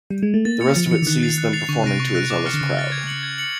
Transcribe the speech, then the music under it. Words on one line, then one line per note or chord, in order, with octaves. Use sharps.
The rest of it sees them performing to a zealous crowd.
G3
G#3
A3
A#3 A6
C#7 F7
F3 A6
F3
E3 C#7 F7
D3
D#3 F#6
A6 C7 F7
F#6
A6 C7 F7
D3 C#6
C3 F#6 A#6 D7
C#6
F#6 A#6 D7
D6
F6 A6 C#7
D3
C#3 D6
F6 A6 C#7
G#6
C#7 F#7
G#6
C#7 F#7